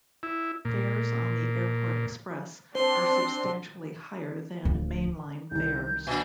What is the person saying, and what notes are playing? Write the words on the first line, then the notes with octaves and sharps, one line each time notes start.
Fares on the Airport Express are substantially higher than main line fares.
E4
A#2
C4 D4 C5 C6
D1 F3
C2 D#3 G6
A#2 D4 G#5